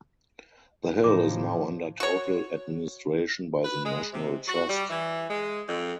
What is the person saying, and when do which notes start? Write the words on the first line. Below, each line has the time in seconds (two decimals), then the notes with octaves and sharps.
The hill is now under total administration by the National Trust.
1.04 A2 C#3 E3 F3 D#4 D6
2.00 F#4 C#5
3.64 B4
3.84 G#3
4.13 C3
4.48 F#4
4.69 G3
4.90 E3
5.29 G#3
5.68 F2